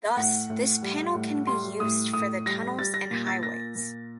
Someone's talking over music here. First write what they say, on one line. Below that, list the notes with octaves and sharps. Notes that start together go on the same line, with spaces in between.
Thus, this panel can be used for the tunnels and highways.
A2 F#5
A2
G3
A2
G3 C6
A2 D#6
A2 D#6
G3 A#6
G3 A6
A#6
A#2
A6
A#2 A#6
A#2